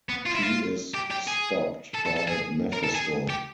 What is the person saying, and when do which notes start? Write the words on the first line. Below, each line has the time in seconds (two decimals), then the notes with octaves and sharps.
She is stopped by Mephisto.
0.09 B3
0.26 F4
0.35 E4
0.43 F4
0.94 G4
1.11 G4
1.27 G#4
1.94 A4
2.06 A4
2.16 A4
2.28 G#4
2.73 A#4
2.84 A4
2.95 G#4
3.30 G4